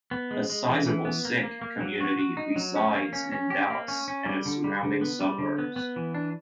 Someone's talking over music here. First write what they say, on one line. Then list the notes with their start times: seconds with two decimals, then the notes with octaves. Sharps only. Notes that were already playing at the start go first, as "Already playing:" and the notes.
A sizable Sikh community resides in Dallas and its surrounding suburbs.
0.11 B3
0.31 G#3
0.50 G#3
0.68 E3
0.86 E3
1.05 B3
1.25 A#3
1.43 A#3
1.62 A#3
1.81 F#3
2.00 F#4
2.19 F#4
2.37 D#4
2.56 F#3
2.76 C#4
2.95 A#3
3.13 C#4
3.32 C#4
3.50 G4
3.70 A#3
3.88 C#4
4.08 C#4
4.26 G3
4.45 D3
4.64 G3
4.83 D3
5.01 B3
5.20 G3
5.39 D3
5.58 B3
5.76 B3
5.96 E3
6.14 D4